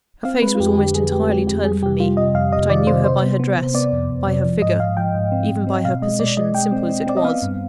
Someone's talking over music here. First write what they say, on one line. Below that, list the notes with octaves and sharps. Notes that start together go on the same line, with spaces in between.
Her face was almost entirely turned from me; but I knew her by her dress, by her figure--even by her position, simple as it was.
C4 F5
G#3 B4
F4
F2 G4
D3 G4
F2 G#4
G#3 G4
G#3 G4
F2 G4
G3 G#4
C3 G4
G3 F4
C3 D#5
F2 F5
C3 D#5
D#3 D5
C3 C5
C3 C5
B3
B3
C3
B3 D5
F2
F2
C3
F3
G#2 D#5
G#2 F5
F3 G5
G#2
C4
G#2
C4
B2 F5
G#3 D#5
B2 D5
G#3 D#5
G#3 G5
C4
C4
C4 D5
D#5
B3 F5
G2